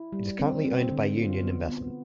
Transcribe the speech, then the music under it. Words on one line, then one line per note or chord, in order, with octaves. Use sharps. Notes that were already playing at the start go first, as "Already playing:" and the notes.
It is currently owned by Union Investment.
Already playing: E4
G3
C4
C4
D3
F4
B3
B3